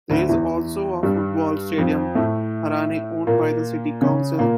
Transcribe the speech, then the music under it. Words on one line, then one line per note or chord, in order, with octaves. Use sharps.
There is also a football stadium, "Harane", owned by the city council.
D2 D3
E2 E3
G2 G3
F2 F3
A2 A3
A#2 A#3
C#3 C#4
A#2 A#3